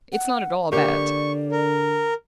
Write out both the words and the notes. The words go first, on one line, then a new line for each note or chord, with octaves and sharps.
It's not at all bad.
F#5
D3 A#3 G4 D5 C#6
A#4